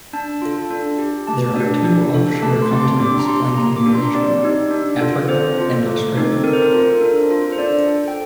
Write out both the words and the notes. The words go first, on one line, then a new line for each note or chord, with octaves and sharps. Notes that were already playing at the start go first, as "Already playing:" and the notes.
There are two offshore continents flanking Eurasia: Africa and Australia.
D4 A5
F4 A4
D4
G4
A3 A5
D4 G4
D4
A4
A3 A5
C6
C4 G4 D6
C6
D4 D6
A#5
G4 C6
A#3 A#5
D6
D4 G4
C6
C4 D5
D#4 G4
D4
F4 A4
C4 C5
F4 A4
A3
C4 D#4 A4
C4 A#4
C5
A#4
F4 A4
D4
F4 A4
C5
D4 D5
A4
G5